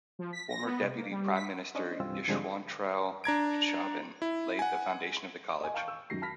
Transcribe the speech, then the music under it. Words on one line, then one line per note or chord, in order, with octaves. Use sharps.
Former deputy Prime Minister Yeshwantrao Chavan, laid the foundation of the college.
F3
B6
A#6
B3
C3
A#3
G3
B6
C#4 D4 C5 D#5
C2 G2 E3 C4 F4 E6
G#2 D3 F3 G3 G#3 C4
D4 A#5 G#6 D7
E4
F#5 G#5
D#5 G#5
F5 G5 A5 C#6 F6 G6
C#6 E6
F#2 D#3 F#3 A#6 C7
A5 B5 F6 A#6 B6